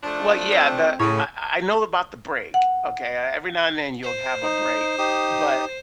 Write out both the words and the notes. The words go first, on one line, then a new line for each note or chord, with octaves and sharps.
Well, yeah, the I I I know about the break, okay? Uh, every now and then, you'll have a break. But
F3 A3 D4
C4
A2 C#3 C#5
F#5
C5
D#4
D#4 G4 D#6